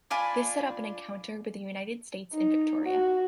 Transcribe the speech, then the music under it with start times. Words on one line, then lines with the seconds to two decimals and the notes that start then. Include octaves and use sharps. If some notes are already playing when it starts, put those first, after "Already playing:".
This set up an encounter with the United States in Victoria.
0.11 D4 F4 G#5 B5
2.33 D#4
2.84 F#4